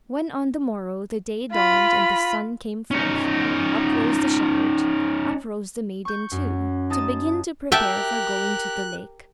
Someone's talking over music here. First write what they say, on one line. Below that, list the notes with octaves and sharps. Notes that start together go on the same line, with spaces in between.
When, on the morrow, the day dawned and the sun came forth, up rose the shepherd, up rose the maiden too, to begin to prepare for going to the lake.
F4 B5
C#4 D#4
C#6 G6
F#2
D#4 A5 D#6 A6
G4 A#4 E5 G5 A5 F#6